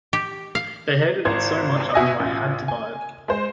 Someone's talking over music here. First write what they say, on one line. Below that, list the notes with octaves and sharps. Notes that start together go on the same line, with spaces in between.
They hated it so much I knew I had to buy it.
G4
F5
G#1 C5 G#6
B2 E5 G#5 D#6 A#6
A1 F4
G#5
G#3 C5